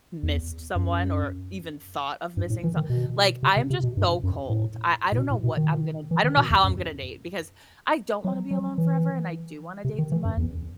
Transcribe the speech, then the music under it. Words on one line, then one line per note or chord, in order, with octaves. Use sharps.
missed someone or even thought of missing some like I'm just so cold. I I don't know what I'm gonna I don't know how I'm gonna date, because I don't wanna be alone forever and I do wanna date someone,
E2
F#2
G2
A2
E3
D#3
B2
C3
C3
C3
B2
G2
F#2
A2
A2
B2
A2
B2
D#3
E3
D#3
B2
E2
F#2
F#3
F#3
E3
C3
D#3
E3
F#2
E2